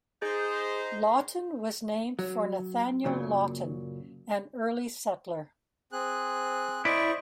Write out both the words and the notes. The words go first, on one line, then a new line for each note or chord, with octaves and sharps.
Lawton was named for Nathaniel Lawton, an early settler.
D#4 G#4 C5
F#3
F#2 A#2 C#3 F#3
C4 G#4 F#6
E4 C5 D5 D#5 C#6